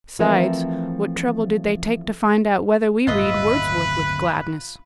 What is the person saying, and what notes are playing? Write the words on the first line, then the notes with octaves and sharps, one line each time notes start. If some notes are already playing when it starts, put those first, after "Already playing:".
Besides, what trouble did they take to find out whether we read Wordsworth with gladness?
E3 F3 A3 C4 A#4 E5
D1 G1 C#3 F4 B4 D#5 E5